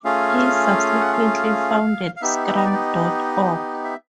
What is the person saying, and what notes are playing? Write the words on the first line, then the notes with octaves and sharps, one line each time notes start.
He subsequently founded Scrum dot org.
A3 C#4 F4 G#4 F5
F#5
F5
F5
B3 D#4 G4 E5
E5
D#5
D5
D#5
E5